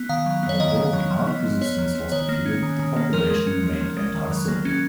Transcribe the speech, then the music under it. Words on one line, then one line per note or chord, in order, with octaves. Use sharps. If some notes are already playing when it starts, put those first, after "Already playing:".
Although the armed resistance was defeated, the population remained anti-Soviet.
Already playing: B3
D#3 F5
F#3
B3
C#5
D#3 D#5
D#3
F#3
F3
B3
F3
B3 C#5
F3
B3
D#3 C#5
A#3
C#4
D#3
D#3
A#3
F3 A#4
G#3
C#4
F3
F3
G#3
D#3
F#3
A#3
C#4